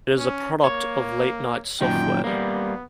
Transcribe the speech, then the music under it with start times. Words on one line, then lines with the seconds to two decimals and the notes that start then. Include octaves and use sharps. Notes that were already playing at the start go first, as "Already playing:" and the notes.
It is a product of Late Night Software.
0.18 C#4
0.64 A#3 C#5
1.81 F#2 A#2 D#3 G5
2.24 G3 A#3 B3